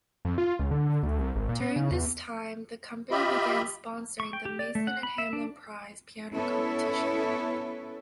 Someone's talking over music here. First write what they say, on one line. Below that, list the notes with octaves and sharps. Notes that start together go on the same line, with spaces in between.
During this time the company began sponsoring the Mason and Hamlin Prize piano competition.
F2
F4
C#2
D3
D3
D2
C2
G#1
A#2
B3
C#3
E2
F4 G4 D#5 E5 B5
C#6
G5
G4
D5
A3
F#5
B5
E5
D4
B3 C#4 E4 A4 B4 C#5